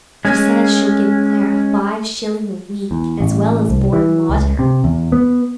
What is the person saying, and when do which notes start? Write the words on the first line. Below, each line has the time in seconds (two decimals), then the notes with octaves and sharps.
She says she'll give Clara five shillin' a week, as well as board an' lodge her.
0.25 G#3 C#4
2.91 E2
3.21 A1
3.69 C2
3.93 E3
4.30 C#2
4.59 C3
4.84 E2
5.12 B3